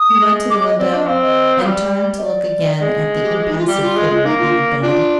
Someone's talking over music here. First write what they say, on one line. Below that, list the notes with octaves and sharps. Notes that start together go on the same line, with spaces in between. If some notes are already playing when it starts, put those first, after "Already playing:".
He went to the window and turned to look again at the impassive figure on the bed.
Already playing: D#6
G#3
D6
D#5
C4 D5
D4 D#5
C4 F5
D#5
F3
G3 D5
D#5
D5
G#3
G4
G4
D#4
F4
G3 G4
F4
G#3
G#3
A#3 D#4
F4
D4 F4